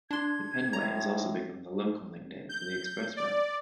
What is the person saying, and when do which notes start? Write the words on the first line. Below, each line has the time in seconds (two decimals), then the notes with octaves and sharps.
The Penway has also become the local nickname for the Expressway.
0.11 D4 C6 G#6
0.73 A2 G#3 A#5
2.49 G6
3.16 D5